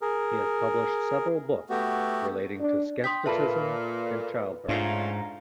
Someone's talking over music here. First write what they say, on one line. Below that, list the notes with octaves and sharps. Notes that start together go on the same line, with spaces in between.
He has published several books relating to scepticism and childbirth.
G#4 A#4
A3 B3 F#4 G4
D4
G5 C6 D#6 B6
A#2 A4 B4 E5 A5 B5
G#2 A3 C#4 D4 F4 A#5